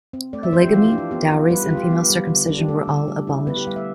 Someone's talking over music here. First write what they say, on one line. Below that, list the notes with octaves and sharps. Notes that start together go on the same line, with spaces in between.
Polygamy, dowries and female circumcision were all abolished.
C4
A3 D5
E5
F3 C5
G4
E3 F4
G4
D4
F4
B3 G4
F4
G3 B4
G4
F4
G4
B3
G3
D3
D4
G4
A3 A4
D3
G3
E4
B3 B4
G4
G3 F5
E5